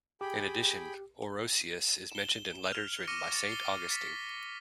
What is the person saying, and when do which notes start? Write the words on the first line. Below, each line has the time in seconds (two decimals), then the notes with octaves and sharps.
In addition, Orosius is mentioned in letters written by Saint Augustine.
0.21 G4 G#4 G5 B5
2.10 E7 G7
2.68 F6 F7
3.07 C#6 D6 F6 A#6 C#7 D#7
3.34 A6
3.49 C7 G7
3.90 A6 B6